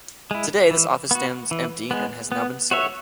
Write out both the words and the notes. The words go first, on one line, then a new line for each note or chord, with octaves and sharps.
Today, this office stands empty and has now been sold.
G#3 E4
E3
B3 F#4
E3
G#3 B3
B3
F#4 C#5 E5